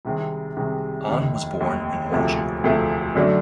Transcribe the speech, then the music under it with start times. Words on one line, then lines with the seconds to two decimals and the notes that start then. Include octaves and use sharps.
Ahn was born in Wonju.
0.05 C2 C3 D#3 G#3 C4
0.57 C2 C3 D#3 G#3 C4
1.09 F1 D#2 D#3
1.60 F1 D#2 D#3
2.11 E1 D2 C3 F3 A3
2.63 E1 D2 C3 F3 A3
3.15 F#2 D3 F#3 A3 D4